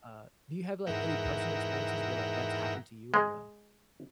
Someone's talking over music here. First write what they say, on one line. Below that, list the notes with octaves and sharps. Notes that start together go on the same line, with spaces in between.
uh, do you have, like, any personal experiences where, like, that's happened to you or no?
E2 G#2 A#4 E5 F#5 G5
G#3